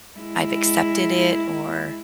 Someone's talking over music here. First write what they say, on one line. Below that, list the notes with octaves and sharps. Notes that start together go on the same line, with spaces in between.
I've accepted it, or,
G#3 E4